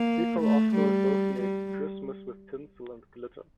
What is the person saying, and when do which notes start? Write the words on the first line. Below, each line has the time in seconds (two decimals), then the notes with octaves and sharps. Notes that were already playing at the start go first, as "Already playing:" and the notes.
People often associate Christmas with tinsel and glitter.
Already playing: A#3
0.40 A3
0.75 G3
1.41 G3